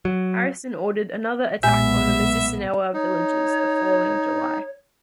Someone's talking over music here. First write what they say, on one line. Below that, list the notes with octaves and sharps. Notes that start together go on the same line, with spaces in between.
Harrison ordered another attack on the Mississinewa villages the following July.
F#3
B1 A#2 G#3 B3 E5 G#5 G6
D#4 C#5